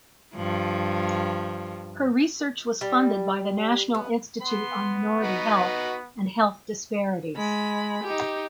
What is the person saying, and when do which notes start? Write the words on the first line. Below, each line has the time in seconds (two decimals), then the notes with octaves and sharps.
Her research was funded by the National Institute on Minority Health and Health Disparities.
0.36 G2 F3
2.81 G3
3.95 B3
4.42 B3 C6
5.23 D#4 F#4 B4
7.37 G#3 B5
8.04 D#4 G4